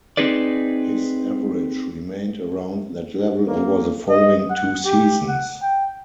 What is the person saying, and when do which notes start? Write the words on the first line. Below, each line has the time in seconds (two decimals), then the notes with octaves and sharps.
His average remained around that level over the following two seasons.
0.17 C4 D#4 G#4 B4 D5
3.48 A#3
4.09 D#5
4.50 F#5
4.85 G4
5.28 F#5
5.62 G5